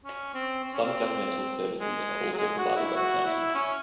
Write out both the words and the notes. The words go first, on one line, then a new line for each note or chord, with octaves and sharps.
Some governmental services are also provided by the county.
C#4
C4
C4
C#4
C4
G#3
F#3
G#3
F#4
E4
F#4
E4
C#4